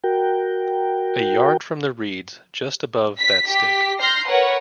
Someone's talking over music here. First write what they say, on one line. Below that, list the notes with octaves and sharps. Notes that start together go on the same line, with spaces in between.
A yard from the reeds just above that stick.
F#4 A#4 G5
B6
G4 B6
C6 F6 G6 A#6 C7
A#4 B4 C#5 F#5